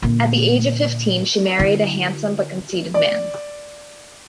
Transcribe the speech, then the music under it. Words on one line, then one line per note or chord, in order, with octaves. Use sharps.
At the age of fifteen, she married a handsome but conceited man.
A#2 D3
D3 E4
D5